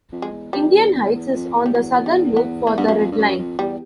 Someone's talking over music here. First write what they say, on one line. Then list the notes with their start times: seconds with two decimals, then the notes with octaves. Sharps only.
Indian Heights is on the southern loop for the Red Line.
0.12 F2
0.22 G#3
0.32 E2
0.53 F2 G3
0.74 E2
0.94 E2
1.15 E2
1.34 F2
1.55 E2
1.66 G3
1.75 F#3
1.95 F#3
2.06 G3
2.36 B3
2.67 A#3
2.78 G2 B3
2.88 F#2 A#3
2.98 F2
3.12 G2
3.18 F#2
3.38 F2
3.59 E2 G3